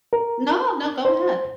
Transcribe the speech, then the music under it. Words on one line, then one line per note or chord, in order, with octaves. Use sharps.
No, no, go ahead.
A#4
C5